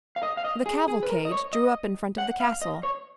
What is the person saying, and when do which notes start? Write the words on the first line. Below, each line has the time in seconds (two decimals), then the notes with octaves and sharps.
The cavalcade drew up in front of the castle.
0.16 F5
0.23 D#5
0.37 F5
0.44 D#5
0.66 G#4
0.88 G#4
1.03 B4
1.10 A#4
1.25 D#5
1.32 C#5
1.53 D#5
2.18 F#5
2.40 F5
2.62 D#5
2.83 C#5